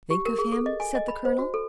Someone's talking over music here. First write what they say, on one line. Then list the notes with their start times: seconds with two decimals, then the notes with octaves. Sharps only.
"Think of him?" said the colonel.
0.10 G4
0.26 A#4
0.38 G#4
0.52 A4
0.66 D#5
0.80 G#5
0.95 D#5
1.08 B5
1.25 C5
1.39 F#4
1.54 A4